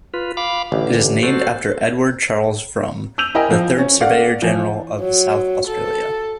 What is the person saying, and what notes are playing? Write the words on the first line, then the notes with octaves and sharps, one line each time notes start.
It is named after Edward Charles Frome, the third surveyor-general of South Australia.
F4 B4
F5 B5 D6
A1 D3
F#4 A4 C5
E6 G6 D#7 F7
E4 A#4 D#5 G5 G#5
F3
C#4
A3 D5 F5 F#5
E3 F3
F#3
A4